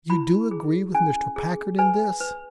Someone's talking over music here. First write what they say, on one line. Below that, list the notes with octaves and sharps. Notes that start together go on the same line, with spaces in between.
"You do agree with Mr. Packard in this?"
E4 B5
G#4
C#4 G#5
G#4
B4 G#5
B4